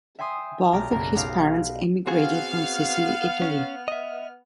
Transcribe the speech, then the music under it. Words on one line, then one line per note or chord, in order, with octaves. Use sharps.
Both of his parents emigrated from Sicily, Italy.
E5 G5 G#5 C6 D#6
B1 G4 D5 A#5 F6
F#1 B1 A#3 A#4 A#5
B1 D#4 G4 F5 A#6
B3 C4 F#4 G#4 F5 F6
C#4
D#5 E5